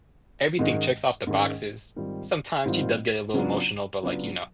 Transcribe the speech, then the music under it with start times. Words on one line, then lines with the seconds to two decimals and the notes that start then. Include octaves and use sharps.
everything checks off the boxes. Sometimes she does get a little emotional, but like, you know,
0.59 G#2 D#3 G#3 C#4
1.27 G#2 D#3 G#3 C#4
1.96 G#2 D#3 G3 C4 F4
2.65 G#2 D#3 G3 C4 F4
3.34 C#3 F#3 B3 D4 F4
4.03 C#3 F#3 B3 D4 F4